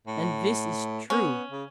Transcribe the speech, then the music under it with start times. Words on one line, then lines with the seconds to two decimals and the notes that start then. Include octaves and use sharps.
And this is true.
0.07 A2
1.10 B3 C#4
1.52 C#3